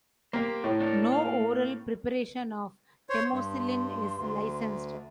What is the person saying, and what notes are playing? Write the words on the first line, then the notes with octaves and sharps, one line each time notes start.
No oral preparation of temocillin is licensed.
A#3 G4 C5
A2
D4 A4 A#4
A#3 F5
C5 C#5 C6
G2
D2